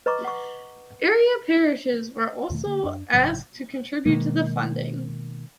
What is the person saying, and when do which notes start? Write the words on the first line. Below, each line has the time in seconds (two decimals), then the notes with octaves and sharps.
Area parishes were also asked to contribute to the funding.
0.06 B4 D#5 A#5 C#6 D6
0.24 F#5 C#6
2.50 E2 B2 D#3 A3
2.66 D3 A#3
2.83 F#2 D4
3.13 G1 A2 C#3 F#3
4.06 B2 D#3 G#3 A#3